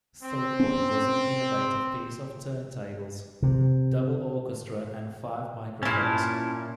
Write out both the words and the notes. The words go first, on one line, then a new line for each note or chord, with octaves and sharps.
"Still Point" was an innovative piece for turntables, "double orchestra" and five microphones.
C4
B3 C#4
C3
A#2 C#4 E4 A5